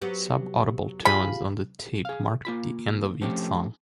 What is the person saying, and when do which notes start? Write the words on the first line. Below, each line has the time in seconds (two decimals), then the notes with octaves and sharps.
Subaudible tones on the tape marked the end of each song.
0.02 F#3 B3 G4
1.05 F4 G4 G#4 B5
2.05 G#4 F5
2.45 A#3 F4 B5
3.21 F3 A3 C4 C#4 G4